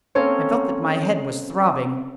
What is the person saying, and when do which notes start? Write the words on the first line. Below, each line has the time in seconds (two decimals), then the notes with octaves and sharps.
I felt that my head was throbbing.
0.15 A#3 C4 C#4 A4 C5 C#5